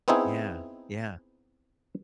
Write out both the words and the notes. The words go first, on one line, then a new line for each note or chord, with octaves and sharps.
Yeah, yeah.
B3 C4 D#4 E4 G#4